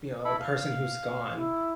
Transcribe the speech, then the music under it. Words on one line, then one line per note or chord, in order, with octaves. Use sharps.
you know, a person who's gone,
E4 A4 B5
F5
E4